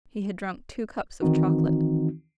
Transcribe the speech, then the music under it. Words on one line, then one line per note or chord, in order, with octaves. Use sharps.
He had drunk two cups of chocolate.
D#3 E3 C4 D#4 F#4